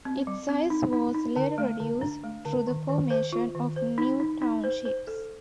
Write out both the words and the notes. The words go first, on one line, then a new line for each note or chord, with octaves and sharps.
Its size was later reduced through the formation of new townships.
C4
G3
C4
D#4
D#4
D#4
D3
A3
D3
D4
A3
D3
D#3
D#3
C5
F4
D#3
C5
D#4
D#4
D#4
C5
C5
A4